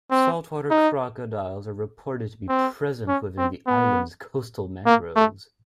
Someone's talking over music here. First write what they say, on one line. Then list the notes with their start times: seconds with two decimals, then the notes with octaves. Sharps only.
Saltwater crocodiles are reported to be present within the island's coastal mangroves.
0.11 C4
0.70 D#4
2.49 C4
3.08 C#4
3.38 C4
3.67 B3
4.86 A#3
5.16 A3